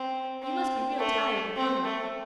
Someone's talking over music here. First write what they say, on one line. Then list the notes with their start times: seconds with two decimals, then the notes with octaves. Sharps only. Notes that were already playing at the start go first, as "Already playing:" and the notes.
You must be real tired and hungry.
Already playing: C4
0.42 C4
0.98 A3
1.56 C4
1.85 A3